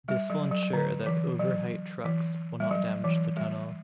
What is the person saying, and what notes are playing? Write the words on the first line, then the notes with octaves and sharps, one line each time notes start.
This will ensure that overheight trucks will not damage the tunnel.
G3
F#3
F#3
D3
E3
F#3
E3
G3
F#3
E3
G3